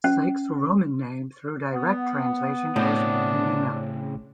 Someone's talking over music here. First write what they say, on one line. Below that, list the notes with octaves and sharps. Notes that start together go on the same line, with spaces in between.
Psyche's Roman name through direct translation is Anima.
C#4
B3
A2 C#3 C4 D4